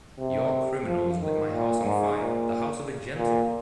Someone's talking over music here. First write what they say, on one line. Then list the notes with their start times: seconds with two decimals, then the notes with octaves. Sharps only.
Your criminals lit my house on fire, the house of a gentleman.
0.19 C3
0.86 F3
1.19 D#3
1.52 A#2
1.85 G#2
2.18 A#2
3.17 A#2